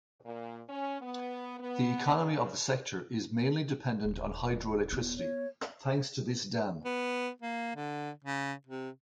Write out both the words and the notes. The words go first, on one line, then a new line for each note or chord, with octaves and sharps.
The economy of the sector is mainly dependent on hydroelectricity thanks to this dam.
A#2
C#4
B3
B3
C#3
D#1
B3
C#5
B3
A#3
D3
C#3
C3